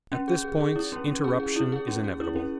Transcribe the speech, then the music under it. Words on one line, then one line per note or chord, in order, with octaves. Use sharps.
At this point, interruption is inevitable.
C#4
G#4
G#4
G#4
E4
C#4
C#4
G#4
G#4
E4
G#4
C#4
G#4
E4
C#4